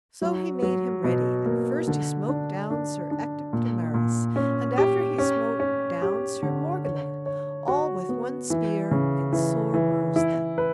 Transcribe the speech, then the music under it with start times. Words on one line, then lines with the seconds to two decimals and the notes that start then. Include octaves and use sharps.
So he made him ready, and first he smote down Sir Ector de Maris, and after he smote down Sir Morganor, all with one spear, and sore bruised them.
0.22 F#3
0.62 F#3
1.04 B2
1.46 A#3
1.87 D3
2.28 D4
2.71 D4
3.11 D4
3.53 A#2
3.94 A#2
4.36 C#4
4.78 G4
5.18 C#4
5.60 C#4
6.02 G4
6.42 D3
6.84 C#5
7.26 C#5
7.68 F#4
8.09 B3
8.50 E3
8.91 C#3
9.32 E3
9.74 E3
10.16 E4
10.58 B4